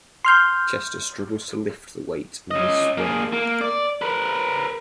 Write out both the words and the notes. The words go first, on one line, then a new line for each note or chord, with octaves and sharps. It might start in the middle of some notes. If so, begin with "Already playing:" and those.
Chester struggles to lift the weight and they sway.
C6 F6 G6
C#4 D#5
A#3 G#4
A#3
D5
A#4 B4